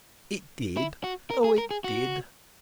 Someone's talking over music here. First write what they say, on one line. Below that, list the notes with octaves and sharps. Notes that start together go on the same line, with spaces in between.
It did, oh it did.
E4
F#4
A#4
G#4
A#4
G#4
F#4